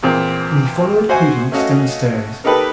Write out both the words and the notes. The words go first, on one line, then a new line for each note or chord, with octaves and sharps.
We followed Prudence downstairs.
E2 A#2 C4
F#4 C5 E5 G#5
A3 C#4 F#4 D#5 F5
A#3 D#4 G4 A4 B4